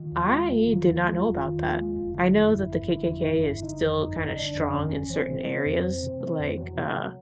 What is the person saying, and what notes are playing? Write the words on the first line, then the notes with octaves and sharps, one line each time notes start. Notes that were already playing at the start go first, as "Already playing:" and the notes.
I did not know about that. I know that the KKK is still kinda strong in certain areas, like, uh,
Already playing: D#3 F4
D#2
G#3
F1
D#3
D#2
G#3
F1
D#3
D#2
G#3
F1
D3 E4
F2
G1
G1
D3
F2
G1
G1
D3 D#4
F2
G1
G1
D3 D4
F2
G1 C#4
G1
E3 C4
C3
A3
F2
E3
C3
A3
F2
E3 F#3
C3
A3